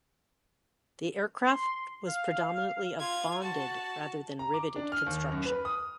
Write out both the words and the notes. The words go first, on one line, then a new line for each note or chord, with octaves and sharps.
The aircraft was predominantly of bonded, rather than riveted, construction.
C6
F5
F4 G#6
F#4 A5
A#5
D6
D4
F6
D#2
F#2
B4
D#6